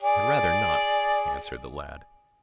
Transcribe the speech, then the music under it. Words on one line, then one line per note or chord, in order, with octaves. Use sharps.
"I had rather not," answered the lad.
G#4 D5